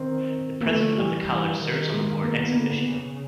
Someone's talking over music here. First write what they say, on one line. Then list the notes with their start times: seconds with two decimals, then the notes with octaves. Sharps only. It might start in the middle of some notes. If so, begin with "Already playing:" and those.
The President of the College serves on the Board ex officio.
Already playing: D#3 C4
0.61 A#3
0.66 D3 A3
0.97 E3 G3
1.29 E3
1.61 D#3
1.92 G#3
2.23 A#3
2.39 B3
2.55 D3 A#3
2.70 B3
2.86 C#3